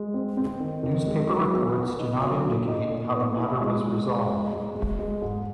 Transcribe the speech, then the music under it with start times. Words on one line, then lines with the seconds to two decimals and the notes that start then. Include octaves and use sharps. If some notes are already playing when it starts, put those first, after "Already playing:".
Newspaper reports do not indicate how the matter was resolved.
Already playing: G#3
0.14 C4
0.37 C4
0.60 D#3
0.83 D#3
1.06 G#3
1.29 F#3
1.53 B3
1.76 B3
1.99 D#4
2.21 F#3
2.45 A#2
2.68 D#4
2.91 A#2
3.14 B3
3.37 E4
3.61 G#3
3.83 G#3
4.07 G#3
4.29 G#3
4.52 G#3
4.75 G#3
4.99 G#3
5.22 G#2